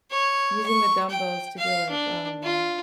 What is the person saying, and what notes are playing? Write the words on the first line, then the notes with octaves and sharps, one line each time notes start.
using the dumbbells to do, like, um,
C#5
C#6
G5
F5
D4
F4